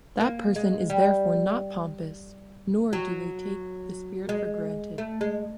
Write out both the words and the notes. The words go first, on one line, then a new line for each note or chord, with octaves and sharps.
That person is therefore not pompous, nor do they take The Spirit for granted.
A#3
G#3
G3
F#3
G#3
A3
G#3